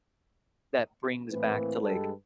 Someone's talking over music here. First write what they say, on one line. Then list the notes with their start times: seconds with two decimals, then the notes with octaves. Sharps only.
that brings back to, like,
1.31 A2 E3 A#3 C4 B4
1.83 G2 G#3 G4 A4 B4